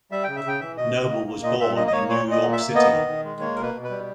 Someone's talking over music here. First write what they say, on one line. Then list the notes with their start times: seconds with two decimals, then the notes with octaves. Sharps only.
Noble was born in New York City.
0.11 G3 E5
0.24 C#3 G5
0.36 E5
0.45 C#3 G5
0.61 E3 E5
0.77 B2 D#5
0.94 B2
1.10 A#3
1.26 A#3
1.43 A#2 D#5
1.60 A#2 E5
1.76 A#3 D#5
1.87 D#5
1.92 A#3 C#5
2.08 A#2 C#5
2.25 A#2
2.31 D#5
2.42 A#3
2.53 E5
2.58 A#3
2.74 B3 D#5
2.92 D#3
3.07 D#3
3.24 G#3
3.41 A#3 C#5
3.56 B2 A#4
3.63 B4
3.73 B2
3.84 B4
3.90 G3